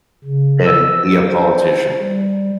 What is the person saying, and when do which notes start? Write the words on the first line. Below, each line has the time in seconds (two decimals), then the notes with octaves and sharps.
than be a politician.
0.24 C#3
0.64 E6
1.26 C5
1.98 G3